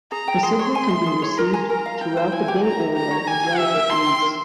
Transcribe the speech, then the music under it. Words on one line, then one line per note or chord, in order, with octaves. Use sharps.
The signal can be received throughout the Bay Area with relative ease.
G#4 A#5
G5
G#4 C6
C#5
G#5
E5
G#4
C#5
A#4 A#5
G#5
A#4 A#5
F5
E4 G5
C5
E4 G#5
G4
G4 A#5
E5
G4 A#5
C#5
G4 G#5
F5
G4 E5
A#4
A#5 C6
G5
A#4